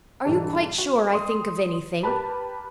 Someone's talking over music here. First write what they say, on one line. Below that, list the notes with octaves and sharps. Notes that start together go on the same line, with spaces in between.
"Are you quite sure I think of anything?"
B1 G#2 D3 E3 G3 A5
F#4
C6 D#6
G4 A#4 B4 A5 B5